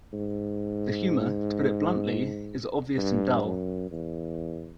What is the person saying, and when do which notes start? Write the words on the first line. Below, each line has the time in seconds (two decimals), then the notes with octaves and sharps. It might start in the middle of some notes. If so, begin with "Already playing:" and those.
The humor, to put it bluntly, is obvious and dull...
0.13 G#2
2.97 G2
3.44 F#2
3.91 E2